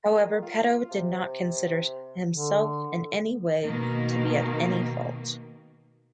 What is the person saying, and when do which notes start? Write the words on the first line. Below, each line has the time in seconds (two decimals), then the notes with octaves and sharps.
However, Peto did not consider himself in any way to be at any fault.
0.10 D#3
0.42 F4
0.91 C3
2.31 D3
3.63 B2 D#3 A#3